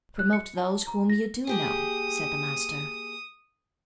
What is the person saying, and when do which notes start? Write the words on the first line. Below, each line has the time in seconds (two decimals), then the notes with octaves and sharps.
"Promote those whom you do know," said the Master.
0.19 F#6
0.33 C#7
0.57 A5
0.87 A#5
1.10 A#6
1.47 A#3 G4 G#4 D#6